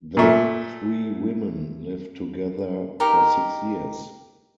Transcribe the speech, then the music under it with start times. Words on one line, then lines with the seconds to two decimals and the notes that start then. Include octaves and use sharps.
The three women lived together for six years.
0.17 A#2 A3
3.00 D#4 G4 A#4